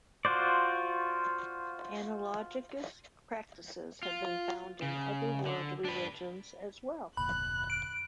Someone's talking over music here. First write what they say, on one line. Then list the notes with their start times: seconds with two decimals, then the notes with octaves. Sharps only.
Analogous practices have been found in other world religions as well.
0.25 F4 F#4 C5 D5
4.03 F4
4.82 C#3
5.46 D3
5.85 D4 B4
7.17 F1 D2 A#2 B5 F#6
7.70 D7